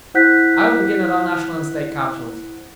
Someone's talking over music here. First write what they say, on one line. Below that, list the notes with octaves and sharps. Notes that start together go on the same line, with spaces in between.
I will begin at our national and State capitals.
E4 C5 F#5 F#6 G6 B6